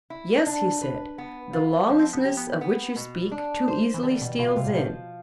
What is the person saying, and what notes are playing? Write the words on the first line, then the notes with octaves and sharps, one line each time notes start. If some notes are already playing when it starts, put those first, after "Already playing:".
Yes, he said; the lawlessness of which you speak too easily steals in.
E4
D4
B4
B3
F4
F3
C4
B3
G4
B3
B3
B2
D4
C5
E3
D3 G3
B2
B2 F4
C3
A2
B2 F3